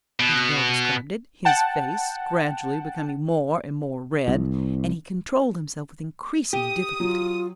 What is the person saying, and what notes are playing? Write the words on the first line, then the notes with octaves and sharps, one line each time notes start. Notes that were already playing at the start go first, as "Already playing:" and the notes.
As Belle described it, his face gradually became more and more red and he controlled himself with increasing difficulty.
B2
F#5 G5 A5
C2
G4 D#6
F#3 F4